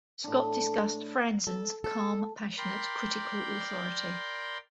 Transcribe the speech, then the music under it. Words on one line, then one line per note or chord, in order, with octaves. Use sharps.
Scott discussed Franzen's, calm, passionate critical authority.
A2 D4
A4
A4
A#4 D5 G5 B5 C6